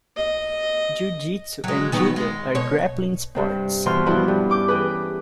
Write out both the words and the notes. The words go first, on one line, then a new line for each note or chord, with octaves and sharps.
Jujitsu and Judo are grappling sports.
D#5
F#3 G#3
D#3 F#3 B3
G#3
B2 C#5
G2 C3 C4
B2 E3 C5 B5 C6 F6
G2 F3 B3 E4 F#4 G4
G2
C#4 D6 G6
E3 G4 G#4 B4